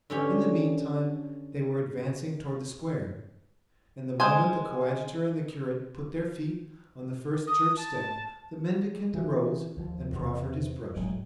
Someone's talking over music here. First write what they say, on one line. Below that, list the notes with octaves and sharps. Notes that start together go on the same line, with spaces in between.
In the meantime they were advancing toward the square, and the moment the coadjutor and the curate put their feet on the first church step the mendicant arose and proffered his brush.
D3 C#4 G4
G#3 C5 G#5
D#6
A5
E3
D#2 F3
E2 C3
E1 A2 F#3 G#3